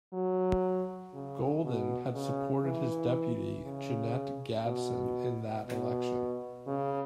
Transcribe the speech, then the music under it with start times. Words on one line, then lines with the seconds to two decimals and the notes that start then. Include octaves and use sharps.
Golden had supported his Deputy Jeannette Gadson in that election.
0.13 F#3
1.14 C#3
1.64 B2
2.14 C#3
2.64 E3
3.65 C#3
4.66 B2
5.67 B2
6.67 C#3